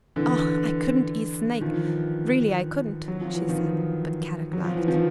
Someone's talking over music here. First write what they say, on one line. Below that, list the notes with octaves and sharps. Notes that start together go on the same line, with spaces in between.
"Oh, I couldn't eat snake, really, I couldn't," she said, but Kadok laughed.
D3 E3
D#3 F3
F#3
F3
E3
D#3 F3
F#3
F3
E3
D#3 F3